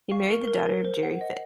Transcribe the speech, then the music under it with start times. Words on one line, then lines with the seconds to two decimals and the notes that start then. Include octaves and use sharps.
He married the daughter of Gerry Fitt.
0.11 F5 C#6
0.31 A#4
0.47 A#4
0.66 A#4
0.85 C5
1.03 F#5
1.21 D#5